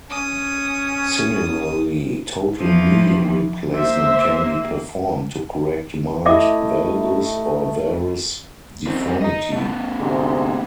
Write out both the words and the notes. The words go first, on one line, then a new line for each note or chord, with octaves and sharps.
Similarly, total knee replacement can be performed to correct mild valgus or varus deformity.
C#4 D#6
E3 F3
A#3 C5 E5
A3 E4 D#5 E5 D6
F#2 C4
D#5 A#5
A3 B3
D2 G#2 C3